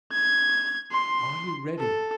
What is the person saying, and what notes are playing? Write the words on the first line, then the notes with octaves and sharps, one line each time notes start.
Are you ready?
G#6
C6
A4